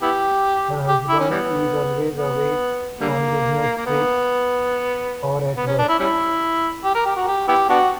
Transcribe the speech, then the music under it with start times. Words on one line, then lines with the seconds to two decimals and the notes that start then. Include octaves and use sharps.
Her husband is always away on business trips or at work.
0.02 B3 E4 G4
0.88 G4
1.09 E4
1.19 C#4
1.30 E3 G3 B3
2.15 B3
3.00 D3 G3 A#3
3.77 A#3
3.86 B3
5.57 B3
5.67 C#4
5.78 D4
5.88 E4
5.99 G3 C#4 E4
6.84 G4
6.95 A#4
7.05 G4
7.16 F#4
7.27 G4
7.48 B3 E4 G4
7.69 B3 D4 F#4